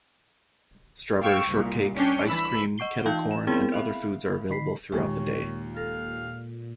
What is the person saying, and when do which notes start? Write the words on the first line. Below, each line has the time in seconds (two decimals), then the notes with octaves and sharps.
Strawberry shortcake, ice cream, kettle corn and other foods are available throughout the day.
1.21 F5 G5 C#6 E6
1.50 C2 A#2
1.96 C#4 D4 G5 C7
2.27 E3 B5 E6
2.78 D#5 F#5 C#6 C7 G7
3.06 E3 D#4 F5 G5 A5 G6
3.31 E7
3.47 B3 C4 E4 G#4 A#4 G5
3.72 E5 F5 B5
4.50 D3 B5 B6 C7
4.92 D#2 A#2 G#3 C#5
5.76 A4 F5 A#6